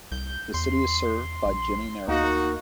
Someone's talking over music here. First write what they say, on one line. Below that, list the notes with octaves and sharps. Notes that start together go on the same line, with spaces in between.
The city is served by Jining Airport.
C2 G6
E2 C6
A#1
D2 A#3 D#4 F#4